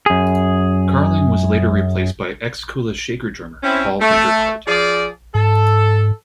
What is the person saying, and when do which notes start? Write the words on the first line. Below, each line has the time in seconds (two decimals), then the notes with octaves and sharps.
Carling was later replaced by ex-Kula Shaker drummer Paul Winter-Hart.
0.06 F#2 G#4
3.63 C4 C#4 E4
4.01 A3
4.68 F3 G#4 D5
5.35 G#2 A4